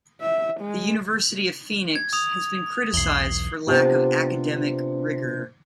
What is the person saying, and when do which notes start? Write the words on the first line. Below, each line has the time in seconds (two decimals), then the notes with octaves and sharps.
The University of Phoenix has been criticized for lack of academic rigor.
0.21 E5
0.61 G#3
1.95 G#6
2.13 D#6 F7
2.94 B1 E2 C7 F#7 G7
3.67 C3 B3 D4 F4 G4